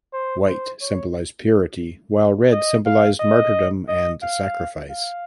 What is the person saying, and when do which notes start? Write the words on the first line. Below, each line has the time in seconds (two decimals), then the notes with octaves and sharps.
White symbolized purity while red symbolized martyrdom and sacrifice.
0.13 C5
0.48 C5
0.81 C#5
2.52 D#5
2.86 F5
3.20 D#5
3.88 D#5
4.23 F5
4.90 F5